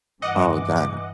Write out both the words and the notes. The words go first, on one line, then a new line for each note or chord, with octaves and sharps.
Oh, god.
G2 E3 D#5 F#5 D6